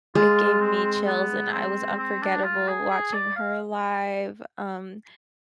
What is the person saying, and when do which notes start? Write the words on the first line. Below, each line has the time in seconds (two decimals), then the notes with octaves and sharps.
it gave me chills and I was unforgettable watching her live. Um,
0.15 G#3 F4
0.61 C4
1.07 B3
1.53 C4
1.98 C4
2.22 D4
2.44 F4
2.67 G#4
2.91 G#4
3.13 D5
3.36 F5